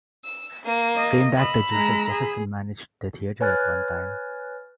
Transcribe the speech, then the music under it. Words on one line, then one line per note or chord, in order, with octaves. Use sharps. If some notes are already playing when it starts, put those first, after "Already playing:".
Famed actor Joseph Jefferson managed the theatre at one time.
E6
A#3
D#5
B5 E6
G#3 A#5
G#4
B4 C#5 G#5 F6 F#6 A6